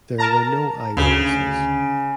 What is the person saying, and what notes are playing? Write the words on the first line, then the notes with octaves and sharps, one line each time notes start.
There were no eyewitnesses.
A#4 A5 A#5
D2 C#3